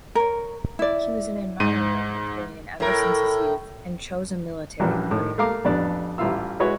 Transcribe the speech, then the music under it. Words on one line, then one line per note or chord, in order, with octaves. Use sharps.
He was an admirer of Napoleon ever since his youth and chose a military career.
A#4 C#5
E4 D5
G#2 D#7
A2 A#4
A#1 F#2 E3 F#3 G3 A#4
A2 D#3
A3 A#3 F5 A#5 D6
A1 F2 B3 D4 D5
A1 G3 E4 F4 F5 E6
G#3 E4 F#4 B4 C#5